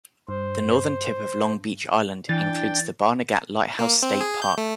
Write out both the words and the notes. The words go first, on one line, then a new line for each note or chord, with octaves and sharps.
The northern tip of Long Beach Island includes the Barnegat Lighthouse State Park.
G2 C5
E3 D4 G5 A6
A#3
C4
G#4
G6
A3